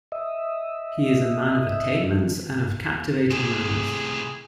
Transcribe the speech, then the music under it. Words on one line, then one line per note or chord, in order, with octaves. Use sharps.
He is a man of attainments and of captivating manners.
D#5 E5
A2 C3 G#4